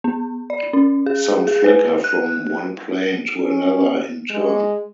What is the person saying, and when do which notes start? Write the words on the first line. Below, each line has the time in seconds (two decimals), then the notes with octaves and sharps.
Some flicker from one plane to another in turn .
0.04 B3
0.50 D5
0.73 C#4
1.06 G#4
1.47 G#4
1.64 B4
2.04 F#6
3.41 C#4
4.30 G#3